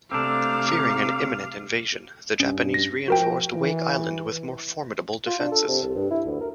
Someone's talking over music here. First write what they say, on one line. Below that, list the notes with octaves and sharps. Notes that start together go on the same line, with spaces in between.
Fearing an imminent invasion, the Japanese reinforced Wake Island with more formidable defenses.
C3 A3 C4 D4 A4 F5 A#5 D6
G2 C#4
A#6
F3 F#4 A#4 G5
E3
F4
D4
A4
C3
C2
G2
E4
D2
A#4